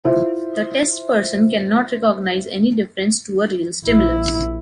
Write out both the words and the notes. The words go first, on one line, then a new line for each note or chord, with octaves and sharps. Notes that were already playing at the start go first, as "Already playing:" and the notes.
The test person cannot recognize any difference to a real stimulus.
E4 F4 C5 E5
A#1 E4